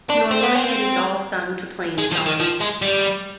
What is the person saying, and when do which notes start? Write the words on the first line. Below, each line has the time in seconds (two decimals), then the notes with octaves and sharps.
Normally it is all sung to plainsong.
0.10 D4
0.31 C4
0.43 B3
0.55 C4
1.98 G#3
2.12 F3
2.27 D#3
2.40 F3
2.61 G#3
2.82 G3